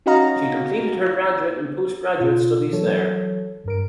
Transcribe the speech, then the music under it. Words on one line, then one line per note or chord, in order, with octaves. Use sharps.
She completed her graduate and postgraduate studies there.
C#4 D#4 F#4 D#5 F5 A#5
B2 F4
E3 F#3 A4 C#5
G2 A#4 D7